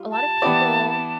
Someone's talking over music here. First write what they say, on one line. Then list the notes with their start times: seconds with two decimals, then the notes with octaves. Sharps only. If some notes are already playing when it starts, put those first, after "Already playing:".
a lot of people,
Already playing: G3 F4
0.11 A5
0.42 E3 B3 E4 G4 D5